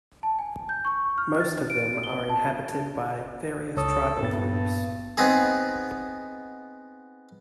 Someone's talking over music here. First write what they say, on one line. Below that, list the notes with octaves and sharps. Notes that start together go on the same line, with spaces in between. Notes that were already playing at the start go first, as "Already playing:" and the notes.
Most of them are inhabited by various tribal groups.
A5
G#5
G6
C#6
F6
A6
D7
G7
A5
C#2 A4 C#5 D#6
G2 A#2 B3 A6
B3 C4 D#4 G#4